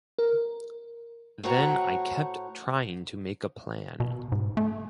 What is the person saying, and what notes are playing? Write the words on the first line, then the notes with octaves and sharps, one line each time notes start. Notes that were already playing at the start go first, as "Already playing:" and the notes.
Then I kept trying to make a plan.
A#4
A2 F#4 C5 C#5 F#5 A#5
B2
G#2
A3